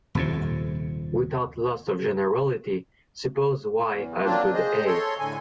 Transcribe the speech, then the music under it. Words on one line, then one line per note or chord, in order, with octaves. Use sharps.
Without loss of generality, suppose Y has good A.
D#1 F2 C3
E2
F#3 A#3 C4 D4 F4
G#4 C5 D#5
A4 C#5 C6
A2 D3 G#5